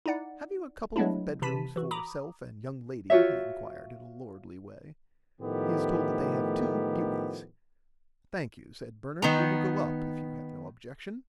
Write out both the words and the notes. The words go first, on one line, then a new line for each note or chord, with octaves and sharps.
Have you a couple of bedrooms for self and young lady he enquired in a lordly way." He is told that they have two beauties. "Thank you said Bernard we will go up if you have no objection.
D#4 E4 D5 F#5
F#3 G#3 A3 B3 D4 E4
C3 E3 A5 B5 B6 D#7
E3 F#4
A#5 B5 D6 D#6
F4 F#4 C#5 E5
A2 D#3 F3 A3 B3 G4
D#3 B3 A#5